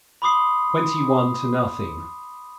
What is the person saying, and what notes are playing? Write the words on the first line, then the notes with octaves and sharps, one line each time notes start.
"Twenty-one to nothing."
B5 C6 D6 D#6 C7